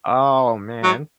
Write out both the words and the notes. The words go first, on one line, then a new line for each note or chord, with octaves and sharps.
Oh, man.
F#3